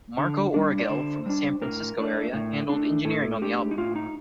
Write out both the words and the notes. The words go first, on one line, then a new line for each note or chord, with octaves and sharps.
Marco Origel, from the San Francisco area, handled engineering on the album.
D3
G3 D4
D5
D3 C5
G3 D4
A2 A#4
A3 D4
A2
A3 D4
A2 A4
A3 D4 G4
D#4
A2 F4
D#4